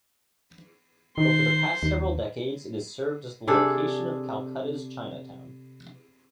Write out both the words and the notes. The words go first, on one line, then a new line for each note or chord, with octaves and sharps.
Over the past several decades, it has served as the location of Calcutta's Chinatown.
D#3 C5 C6
D#2
C3 D4 G#4 A4